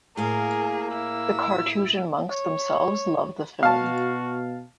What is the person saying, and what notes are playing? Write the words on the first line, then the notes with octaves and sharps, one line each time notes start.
The Carthusian monks themselves loved the film.
A2 A#3 G#4 A#4 F5
E4 E6
C#5
B2 F#4 F5 A5